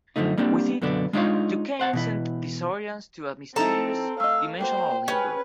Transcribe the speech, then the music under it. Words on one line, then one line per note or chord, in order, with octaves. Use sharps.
With it, DuCaine sent the Saurians to a mysterious "Dimensional Limbo".
F#2 D3 F3 A3 D#4
G3 A#3 C4 D4
F#2 B2 D3 B3 D4
G#3 D4 D#4 F4 C#5 F5
C5 F#5 A5
B2 E3 E4
F3 C4 D#4 E4 A4 A5 A#5
A3 D#5 F5 E6
A3 A#3 F#4 C5 G5
C#4 G4 G#4 B4